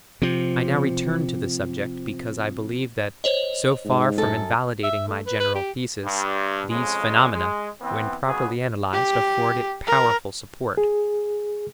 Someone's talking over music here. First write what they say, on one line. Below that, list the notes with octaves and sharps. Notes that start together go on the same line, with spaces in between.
I now return to the subject, because I believe that, so far from invalidating my general thesis, these phenomena, when properly analyzed, afford it powerful support.
C3 F3
C5 C#5 D#5
G#2
F#2 A4
E5
A3
B4
B4
G4
G2
F2 C#3 G#3
G#3
E3 B3 C4
C#2 F#3 B3 G#4
G4
A#4
G#4